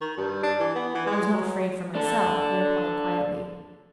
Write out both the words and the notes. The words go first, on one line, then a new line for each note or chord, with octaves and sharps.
"I was not afraid for myself," he replied quietly.
D#3
G2
D4
E3
B3
E3
G#3
F#3
D4 A4